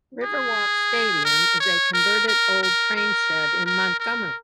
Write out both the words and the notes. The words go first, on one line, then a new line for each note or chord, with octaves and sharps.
Riverwalk Stadium is a converted old train shed in Montgomery.
G#4
A#4
C#5
A#4
A#4
A#4
A#4
A#4
A#4